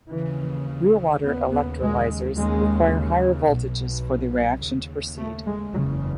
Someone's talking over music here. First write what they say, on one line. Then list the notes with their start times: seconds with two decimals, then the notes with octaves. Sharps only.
Real water electrolysers require higher voltages for the reaction to proceed.
0.11 D#2 C#3 E3
1.24 D#2 C#3 B3
1.52 B3
1.81 G#3
2.36 D#2 C#3 G#3
3.50 B1 B2
4.62 D#2 C#3
5.18 A3
5.47 G#3
5.74 F#1 E2 C#3 F#3